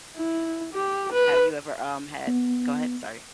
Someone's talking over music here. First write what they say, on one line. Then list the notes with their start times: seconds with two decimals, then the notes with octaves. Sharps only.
Have you ever, um, had Go ahead, sorry.
0.17 E4
0.73 G4
1.13 B4
2.27 B3